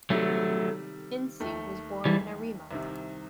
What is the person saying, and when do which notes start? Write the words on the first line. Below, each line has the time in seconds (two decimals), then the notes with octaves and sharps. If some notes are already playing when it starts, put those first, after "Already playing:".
Ince was born in Arima.
0.10 C3 D#3 F#3 G3 A3
1.40 D#2 D#3 A3
2.05 E3 G3
2.71 C2 C3 D#3